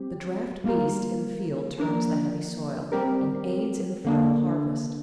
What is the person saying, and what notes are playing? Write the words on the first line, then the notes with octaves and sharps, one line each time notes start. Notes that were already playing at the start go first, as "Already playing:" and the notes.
The draft-beast in the field turns the heavy soil, and aids in the final harvest.
Already playing: G3 C4 G4
G3 A#3 F4 A#4
F3 A#3 D4 A#4
G3 C4 G4 A#4
D3 A#3 D4